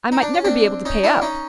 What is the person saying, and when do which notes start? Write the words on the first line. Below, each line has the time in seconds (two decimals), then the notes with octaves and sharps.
"I might never be able to pay up!"
0.12 D#4
0.22 D4
0.34 C#4
0.45 C4 D4
0.85 C#4 D#4
1.04 D4 E4
1.22 C#4 D#4